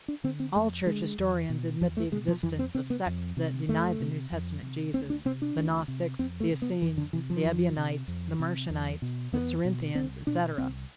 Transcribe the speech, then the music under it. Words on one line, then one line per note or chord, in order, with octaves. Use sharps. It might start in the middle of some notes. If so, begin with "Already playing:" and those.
All church historians admit the existence of sects that denied the New Testament Jesus--the Gnostics, the Essenes, the Ebionites, the Marcionites, the Cerinthians, etc.
D4
D3 C4
C4
F2 A3
D3 G#3
E2
B2
E2 F3
A3
B2 G#3
F3
F2 E3
C4
C3 C4
B3
F2
C3
F2 A3
C3
F2
C3
D2 C4
D4
C3 C4
D4
D2
C3
F2 C4
A3
C3
B3
F2 E3
D3
C3 E3
F3
F2
C3
F2
C3
E2
B2
E2 B3
B2
C2 C4
B2 D4
C2 C4